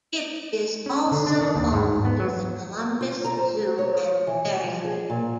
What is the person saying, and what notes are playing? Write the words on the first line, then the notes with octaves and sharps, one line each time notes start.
It is also home to the Columbus Zoo and Aquarium.
C#4
D3
D4
D#3
D#2
G#2
B3
F#3
F4
A#5
C5
C#5
E3
G3
F3
G#4
A#2